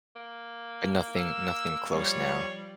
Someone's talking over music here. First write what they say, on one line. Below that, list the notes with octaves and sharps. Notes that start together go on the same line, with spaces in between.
But nothing nothing close now.
A#3
E6
F3 G3 C#5